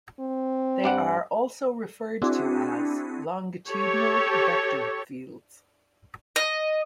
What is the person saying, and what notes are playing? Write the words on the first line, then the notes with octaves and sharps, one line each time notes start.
They are also referred to as longitudinal vector fields.
C4
G2 D5 F#5
C4 D4 E4 F#4 G#4
G4 A4 C#5
D#5